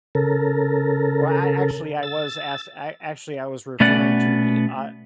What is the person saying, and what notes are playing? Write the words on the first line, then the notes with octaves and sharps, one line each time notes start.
Well, I actually, I was ask I actually, I was referring to the a
C#3 A4 A#4
E6 A6
B2 A3 B3 C#4 D5 F#5